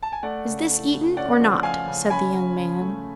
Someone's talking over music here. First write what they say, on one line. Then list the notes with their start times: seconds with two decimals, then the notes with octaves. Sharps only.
"Is this eaten or not?" said the young man.
0.03 A5
0.12 G#5
0.23 A3 D5 F#5
0.47 C#3
0.69 A3
0.93 C#3
1.17 C#4 D5 F#5
1.40 F3
1.63 F3 F5 G#5
1.88 C#3
2.10 C#4 G#5 B5
2.34 C#4
2.57 C#3
2.81 A3